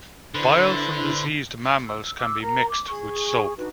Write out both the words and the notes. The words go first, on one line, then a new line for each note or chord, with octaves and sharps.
Bile from deceased mammals can be mixed with soap.
D3 D4 E4 B4 C5
E6
D6 E6
A#4 A#5
D6
G#4 C#6
D4 D#4 F#4 B4